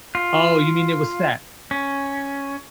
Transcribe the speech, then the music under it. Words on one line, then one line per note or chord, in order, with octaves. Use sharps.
Oh, you mean it was set?
F4
C#4